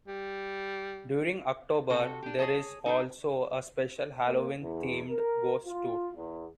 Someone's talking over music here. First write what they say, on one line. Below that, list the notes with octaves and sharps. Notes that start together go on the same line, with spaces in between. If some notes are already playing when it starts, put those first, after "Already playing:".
During October, there is also a special Halloween themed ghost tour.
G3
C3 F#4 A4
D4 G4
G#4 C#5 D#5 A5
D#4 A4 C5
A#3
E2
A#4
F4
E2